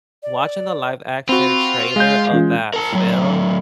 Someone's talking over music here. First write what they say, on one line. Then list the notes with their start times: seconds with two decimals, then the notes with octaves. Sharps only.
watching the live-action trailer of that film
0.23 D5
1.29 C4 F4 F#4 B5
1.96 G#3 F5 G6
2.32 E3 C#4 F4
2.73 A#4 A5
2.93 A2 F#3